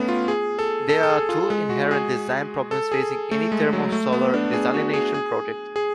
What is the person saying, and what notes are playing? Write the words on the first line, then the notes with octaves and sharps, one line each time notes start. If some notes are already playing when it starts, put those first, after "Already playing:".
There are two inherent design problems facing any thermal solar desalination project.
Already playing: A3 B3 C#4
F4
G#4
A4
A4
A4
G#4
F4
G#3
F#4
G#4
A4
G#4
A3
G#3
F#3
A3
B3
D4
G#4
F#4
G#4
G#4
G#4